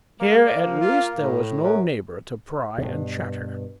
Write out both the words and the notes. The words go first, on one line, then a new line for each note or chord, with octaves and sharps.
Here at least there was no neighbour to pry and chatter.
G#3 A#3
D5
F3
F4
A2
F#2
G2 B2